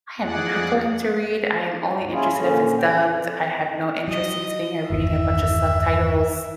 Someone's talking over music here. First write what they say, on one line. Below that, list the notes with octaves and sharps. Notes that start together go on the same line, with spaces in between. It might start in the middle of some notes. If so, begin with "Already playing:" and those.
"I am not going to read, I am only interested if it’s dubbed, I have no interest in sitting here reading a bunch of subtitles,"
F2 G#4 D5 F#5
D#2 G#2
C#4 E4 F4 G#4
A#2 D3 C#4
C#3 G5
F2
F#3 D#5
G1 E2 D#3 E5